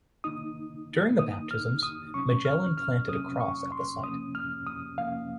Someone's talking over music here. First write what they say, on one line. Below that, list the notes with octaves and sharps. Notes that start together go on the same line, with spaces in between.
During the baptisms, Magellan planted a cross at the site.
C3 D#3 A#3 D#4 D#6
C3 D#3 A#3 D#4 D#6
F6
D#6
C3 F#3 C#4 C#6
F6
F6
C3 F#3 C#4 D#6
C#6
C6
C3 F3 A#3 C#4 D#6
F6
D#6
C3 F3 A#3 C#4 F5